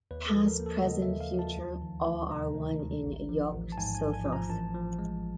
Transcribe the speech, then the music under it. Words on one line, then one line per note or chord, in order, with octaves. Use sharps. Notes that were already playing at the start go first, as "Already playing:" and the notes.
Past, present, future, all are one in Yog-Sothoth.
D#2 B4
A4
F3
A#4
A#3
A4
C#3 D#5
E5
D#2
F5
F3
A5
D2
D#3
D2
C3 A#5
D2
D#3
A1
F3
A1
A5
G#2 G#5
G#5
A1
G#5
F3
A#5
A1 A5
F3
G#3